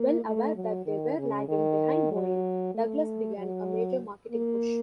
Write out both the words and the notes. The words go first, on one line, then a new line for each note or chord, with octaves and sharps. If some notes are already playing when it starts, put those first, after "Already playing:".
Well aware that they were lagging behind Boeing, Douglas began a major marketing push.
Already playing: A#3
A3
F#3
D#3
C#3
D#3
F#3
A3
F#3
A#3